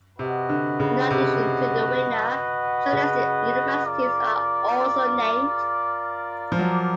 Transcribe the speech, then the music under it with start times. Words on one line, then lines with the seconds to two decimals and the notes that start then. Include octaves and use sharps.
In addition to the winner, shortlisted universities are also named.
0.19 C3 F#4 B4 D#5 F#5
0.49 D3
0.80 C#3
1.10 C3
2.93 C#3
3.85 F4 A#4 D5
6.52 F3
6.59 F#3